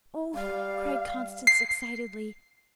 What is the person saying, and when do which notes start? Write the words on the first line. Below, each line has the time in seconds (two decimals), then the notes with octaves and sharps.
"Oh," cried Constance excitedly.
0.34 G3 F5
1.47 C7